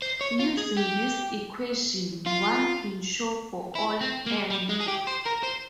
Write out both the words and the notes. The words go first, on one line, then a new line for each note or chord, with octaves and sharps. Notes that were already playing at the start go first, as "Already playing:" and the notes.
Using this equation, one can show for all "n".
C5
C#5
F4
G#4
G4
F4
E4
C4
A#3
G3
G#3
G#4
G4
C5
A#4
C5